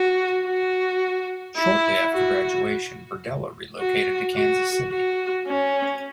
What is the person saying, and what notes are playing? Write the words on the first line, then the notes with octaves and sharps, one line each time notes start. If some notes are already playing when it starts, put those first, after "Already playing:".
Shortly after graduation, Berdella relocated to Kansas City.
Already playing: F#4
F#4
E4
F#4
F#4
F#4
F#4
C#4